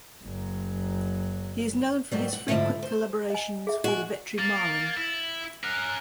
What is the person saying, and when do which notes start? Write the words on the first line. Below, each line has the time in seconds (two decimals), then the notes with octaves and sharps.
He is known for his frequent collaborations with Vetrimaaran.
0.23 F#1 F#3
2.11 G#2 F#3 G3
2.33 F#5
2.48 G#2 D3 F3 A3 E4
2.83 C5
3.30 D#5 G#5
3.67 G#4 E5
3.84 F#4 D#5 G#5
4.38 A#3 A6
4.97 E4
5.64 C#4 A#4 F#6